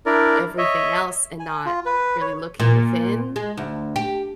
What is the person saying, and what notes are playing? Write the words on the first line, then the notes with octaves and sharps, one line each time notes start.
everything else and not really looking within?
D4 E4 A#4 D5
C#5 D#5 E5
G#5
F4
B4
C#5
A#2
G#3
D2
G4